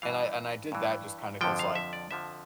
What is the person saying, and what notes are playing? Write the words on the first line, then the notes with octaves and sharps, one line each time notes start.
and I and I did that just kinda 'cause, like,
G2 E3 F5
G2 E3
F2 D3 F3 G5
F5
E5
D5
F2 D3 F3 E5